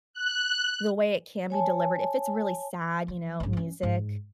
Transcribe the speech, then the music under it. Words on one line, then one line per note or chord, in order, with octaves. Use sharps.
the way it can be delivered, if it's really sad, you know, music
F#6
C#5 G#5 A5
F3
A1 G#2
A#3 C#4
G#2